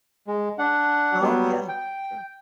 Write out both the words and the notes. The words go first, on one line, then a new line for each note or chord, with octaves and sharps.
Oh yeah, true.
G#3
D4 F#5
F#3 G3 B3
G5